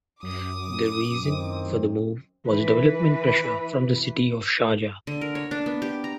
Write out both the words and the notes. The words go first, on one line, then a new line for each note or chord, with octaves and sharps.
The reason for the move was development pressure from the city of Sharjah.
F#2 D6 D#6
A2 D#3 C4
E3 B4
D3
A#4
C#5
D4
B3
G4
A#5